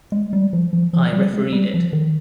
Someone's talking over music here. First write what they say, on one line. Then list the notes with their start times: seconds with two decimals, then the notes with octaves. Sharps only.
I refereed it.
0.12 G#3
0.33 G3
0.53 F3
0.73 F3
0.93 F3
1.13 G3
1.34 G#3
1.53 G3
1.74 F3
1.93 D#3